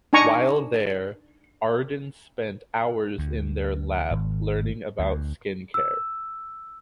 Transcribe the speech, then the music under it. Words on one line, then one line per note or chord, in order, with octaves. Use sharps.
While there, Arden spent hours in their lab, learning about skincare.
D4 D#4 G#5 A#5 C#6
D2
G#1
D2
E6